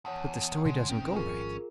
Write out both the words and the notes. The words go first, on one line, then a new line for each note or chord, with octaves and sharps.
But the story doesn't go right.
E2 C#5 F#5 A5
B2 D3 G#3
F#1 C3 C4 C#4 D#4 G5
G#1 F3 C#4 F4 G#4 A#4